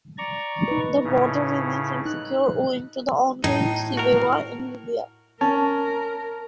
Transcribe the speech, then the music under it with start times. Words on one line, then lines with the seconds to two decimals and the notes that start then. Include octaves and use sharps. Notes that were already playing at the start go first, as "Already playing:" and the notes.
The border remains insecure owing to the ongoing civil war in Libya.
0.18 D5 A#5 C#6
0.68 D#4 B4
1.04 A2 C#3
2.06 D#4 F#6
3.44 A2 D#4
3.97 F#4 A#4
5.41 C#4 A#4 A5